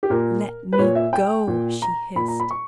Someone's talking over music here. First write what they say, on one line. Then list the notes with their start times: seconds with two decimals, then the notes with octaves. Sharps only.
"Let me go!" she hissed.
0.03 G4
0.10 A#2 A#4
0.73 B4
0.79 A#2 C#5
0.95 E5
1.13 G5
1.47 A#2
1.82 A#5
2.16 A#2 B5
2.28 A#5
2.40 B5
2.51 C#6